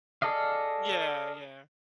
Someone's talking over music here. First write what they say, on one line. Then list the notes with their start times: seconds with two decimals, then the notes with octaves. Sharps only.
Yeah, yeah.
0.22 G#4 A4 D5 D#5 F5